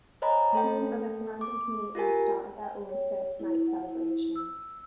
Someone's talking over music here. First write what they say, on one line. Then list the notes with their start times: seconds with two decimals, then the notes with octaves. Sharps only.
Soon other surrounding communities started their own First Night celebrations.
0.22 C5 C#5 D#5 G#5 A#5 B5
0.53 A3 A4 G5
1.41 D6
1.95 F4 G4 A#4 G#5
2.63 G5
2.89 C#5
3.39 E4
3.67 F#5
3.88 E4
4.36 E6